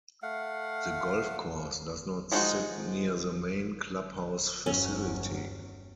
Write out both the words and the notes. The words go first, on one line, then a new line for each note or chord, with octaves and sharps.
The golf course does not sit near the main clubhouse facility.
A3 F5 F#5
F3 G#3 D#4 F4 F#4
G1 E2 F#3 C#4